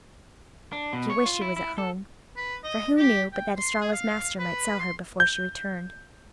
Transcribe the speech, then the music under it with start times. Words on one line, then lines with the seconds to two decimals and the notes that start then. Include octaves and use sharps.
She wished she was at home, for who knew but that Estralla's master might sell her before she returned.
0.72 D4
0.93 B2
1.10 C#5
1.26 F4
1.41 E4
1.57 E4
1.78 A4
2.37 B4
2.64 D#5
2.97 G4
3.33 G5
3.57 C6
3.81 G#4
3.92 F5
4.39 B4
4.79 C6
5.20 G6